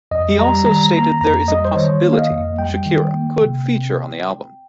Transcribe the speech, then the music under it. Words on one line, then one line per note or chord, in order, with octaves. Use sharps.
He also stated there is a possibility Shakira could feature on the album.
F2 D#5
G3 A#5
D#3 A#5
A#3 A#5
F2 A#5
G3 D#5
C5
D#3 C#5
A#3
F5
D#5
F2
G3 G5
D#3
A#3
C3
C4